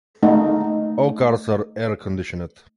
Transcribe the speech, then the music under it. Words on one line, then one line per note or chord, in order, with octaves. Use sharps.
All cars are air-conditioned.
A3 D#4